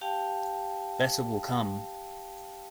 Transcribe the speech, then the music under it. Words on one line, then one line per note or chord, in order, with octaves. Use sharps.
Better will come.
G4 F5 G5 A5